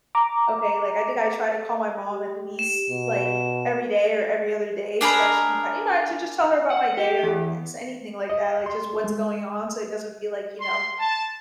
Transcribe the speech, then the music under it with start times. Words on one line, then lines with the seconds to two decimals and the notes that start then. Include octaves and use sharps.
okay, like, I think I try to call my mom at least, like, every day or every other day so that she can kin you know, to just tell her about my day or s anything like that, like, just what's going on, so it doesn't feel like, you know,
0.15 A#5 D6
2.10 G4
2.59 E7
2.90 B2
5.01 D4 G#4 A#4 B5
6.70 F#5
6.97 G4
7.23 E2
8.30 D#5
8.66 C6
9.04 G#3
10.61 C6
10.98 A5